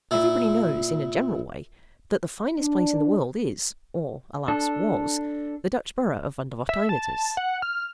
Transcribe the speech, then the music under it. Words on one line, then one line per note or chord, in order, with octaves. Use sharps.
EVERYBODY knows, in a general way, that the finest place in the world is--or, alas, was--the Dutch borough of Vondervotteimittiss.
A#2 E4
D4
D4 A4
E5
A5
F#5
F6